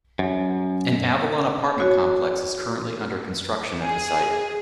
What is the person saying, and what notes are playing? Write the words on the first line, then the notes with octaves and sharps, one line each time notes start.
An Avalon apartment complex is currently under construction at the site.
F#2
F#4 C#5
G#4